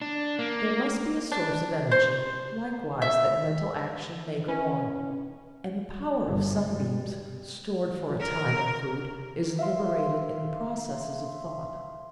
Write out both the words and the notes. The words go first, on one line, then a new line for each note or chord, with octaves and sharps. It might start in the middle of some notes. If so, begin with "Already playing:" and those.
There must be a source of energy likewise that mental action may go on, and the power of sunbeams, stored for a time in food, is liberated in the processes of thought.
D4
A#3
D4
C5
E5
C#4
G1
G3
A#4
E5 F5 C6